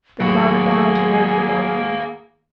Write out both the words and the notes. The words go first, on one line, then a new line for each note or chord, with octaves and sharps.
The Clerk bowed to Lord Godolphin.
A1 D#2 F#3 A#3 F#4 G#4